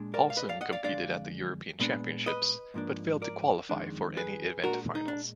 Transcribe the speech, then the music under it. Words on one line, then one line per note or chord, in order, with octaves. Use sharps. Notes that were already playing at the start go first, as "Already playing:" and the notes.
Paulsson competed at the European Championships but failed to qualify for any event finals.
Already playing: A#2 G#3 D4
A#4 D5
F5
B4 D#5
D5 F5
D#5 F#5
D5 F5
F2 D3 G#3 D4 D5 F5
A#2 G#3 B3 D4
B4 D#5
G#2 F3 A#3 D4
A#4 D5
F2 D#3 G#3 D4
G#4 B4
A#2 G#3 D4 F#4 A#4
D#4
D4